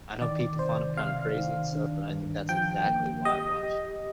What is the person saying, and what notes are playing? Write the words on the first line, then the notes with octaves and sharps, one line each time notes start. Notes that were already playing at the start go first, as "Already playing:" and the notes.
I know people find him kinda crazy and stuff, but I think that's exactly why I watch
D#3 D5
C3 C5
C3 F5
D#3
D4
G2
F3 G5
A#3
G4 D#5
G4